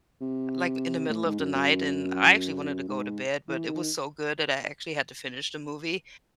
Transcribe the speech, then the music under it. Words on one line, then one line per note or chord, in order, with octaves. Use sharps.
like, in the middle of the night and I actually wanted to go to bed but it was so good that I actually had to finish the movie
C3
A2
G#2
F#2
F#2
G#2
E3
D#3